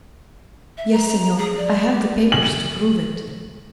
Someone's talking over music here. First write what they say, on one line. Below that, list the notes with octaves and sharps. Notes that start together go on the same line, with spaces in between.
"Yes, Senor; I have the papers to prove it."
E5
A#5
G#4
D5
G4
F#7